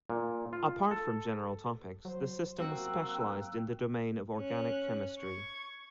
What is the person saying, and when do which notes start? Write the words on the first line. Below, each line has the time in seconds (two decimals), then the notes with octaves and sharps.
Apart from general topics, the system was specialised in the domain of organic chemistry.
0.10 A#2
0.53 F4
0.91 A4
2.05 F#3 C5
2.58 A#3 C4 F#4 F#5 G5 E6 F#6
4.37 C#4 F#6
5.19 C#6 G#6